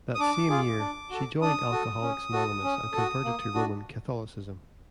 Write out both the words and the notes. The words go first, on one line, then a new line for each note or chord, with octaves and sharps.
That same year, she joined Alcoholics Anonymous and converted to Roman Catholicism.
D#6
D4 D6
F4 G#4
D4
F#4 A4
D4 D#6
F#4 A4
C#4
F#4 A4
C#4
F#4 A4
A#3
D4 F#4